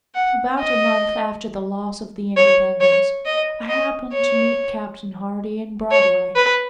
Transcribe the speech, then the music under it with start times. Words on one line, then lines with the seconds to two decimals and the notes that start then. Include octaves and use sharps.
About a month after the loss of the "Independence," I happened to meet Captain Hardy in Broadway.
0.15 F#5
0.59 D#5
2.37 C#5
2.81 C#5
3.26 D#5
3.69 D#5
4.13 C#5
5.91 C#5
6.36 B4